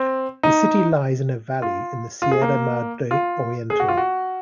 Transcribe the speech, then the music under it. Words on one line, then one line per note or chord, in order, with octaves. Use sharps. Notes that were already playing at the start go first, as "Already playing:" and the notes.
The city lies in a valley in the Sierra Madre Oriental.
Already playing: C4
D#4
F4
F4
G#4
A#3
F4
G#4
F#4
F4
F#4